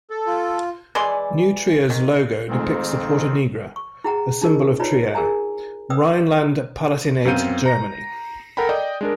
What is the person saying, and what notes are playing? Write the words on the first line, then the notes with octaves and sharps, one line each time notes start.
New Trier's logo depicts the Porta Nigra, a symbol of Trier, Rhineland-Palatinate, Germany.
A4
F4
E3 G#3 D5 C6
D#3
F2 G#2 D#3 G#3 A3 C4
C#6
E4 G#4 F#5 G5 A#5
D4 D#4 F4 G#4 A#4 D#5
D#4 F4 B4 C#5 D5 A#5
G#4 A#4 G#5 A#5
C#4 B4 D5 G5 D#6 E6
F#2 B3 C4 F5 G6 D#7
A#5 A#6
A4 A#4 F#5 G5 A#5 B5
D5 D#5 G5
G#3 D4 A#4